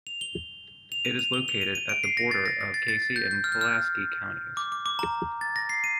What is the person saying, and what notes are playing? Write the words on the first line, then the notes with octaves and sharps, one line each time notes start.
It is located at the border of Casey and Pulaski Counties.
F7
G7
F7
D#7
F7
G7
F7
D#7
D#7
D7
C7
A#6
A6
A#6
A#6
A6
A6
A6
G6
G6
F6
G6
F6
D6
D6
D6
A#5
A6
A#6
C7
D#7